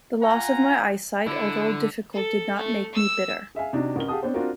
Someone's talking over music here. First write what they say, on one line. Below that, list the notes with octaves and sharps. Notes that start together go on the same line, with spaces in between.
The loss of my eyesight, although difficult, did not make me bitter.
F4 F5 F#5 G#5 A#5
D3 E4
A4
A3
E6
G#4 E5 F5 G#5
C3 D4 D#4 F#4
A1 A#4 G7
G4 G#4 F5 F#5 A5 D#6
B3 C4 D4 C5 C#5
C4 D4 F4 F#4 A#4